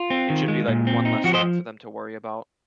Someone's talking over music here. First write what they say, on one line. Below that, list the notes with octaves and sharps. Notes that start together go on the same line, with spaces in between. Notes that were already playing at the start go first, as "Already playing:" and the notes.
it should be, like, one less thing for them to worry about.
Already playing: F4
C4
D#3
G#3
A#2
C4
D#4
F3 F#4
C5 D#5